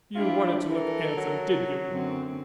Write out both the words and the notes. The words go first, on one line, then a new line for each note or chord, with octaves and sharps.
You wanted to look handsome, did you?
D4 E4 F4 G4
E3 A4 A#4
F#3
F#2 D3 C4